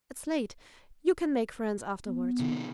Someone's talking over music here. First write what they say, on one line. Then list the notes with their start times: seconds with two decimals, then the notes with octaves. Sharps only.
"It's late. You can make friends afterward."
2.05 B3
2.39 C3 D#3